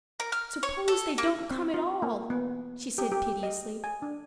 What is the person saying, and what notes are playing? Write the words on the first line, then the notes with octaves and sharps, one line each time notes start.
"Suppose they don't come at all?" she said piteously.
A#4
F6
C#5
A4
A#3
C4
F4
A#3
B3
G4
G4
D#5
G#5
D4